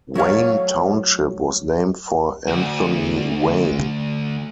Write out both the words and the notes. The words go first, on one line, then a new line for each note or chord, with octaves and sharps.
Wayne Township was named for Anthony Wayne.
F#3 A3 C#5 F5
D2 F#4